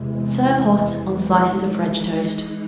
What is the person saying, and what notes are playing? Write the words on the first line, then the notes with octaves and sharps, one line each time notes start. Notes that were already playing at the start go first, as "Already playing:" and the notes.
Serve hot on slices of French toast.
Already playing: E2 C3 E3 G#3
E3 G#3 D#4